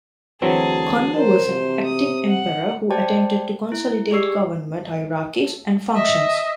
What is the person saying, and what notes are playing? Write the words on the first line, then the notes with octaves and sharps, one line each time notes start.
Kanmu was an active emperor who attempted to consolidate government hierarchies and functions.
D2 E3 F#3 C4 G#4 A5
A#4 C5
C3
D#6
F#5
C5 D5 G5 A5
E4
G4 G#4 D5 C#6 E6 C7
D#5 E5